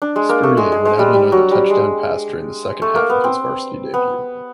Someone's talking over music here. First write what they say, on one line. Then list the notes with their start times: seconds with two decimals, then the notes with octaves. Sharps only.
Spurrier would add another touchdown pass during the second half of his varsity debut.
0.02 D4
0.16 G#3
0.29 A#3
0.43 A3
0.57 G#3
0.72 G#3
0.85 G#3
0.99 G3
1.14 G3
1.32 F#3
1.51 G3
1.70 G#3
2.82 A3
2.95 A#3
3.10 B3
3.24 C4
3.94 B3